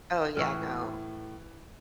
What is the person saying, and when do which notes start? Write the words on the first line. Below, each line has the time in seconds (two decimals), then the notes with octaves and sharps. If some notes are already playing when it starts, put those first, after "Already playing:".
Oh, yeah, no.
0.37 A2 E3 C#6 E6 F6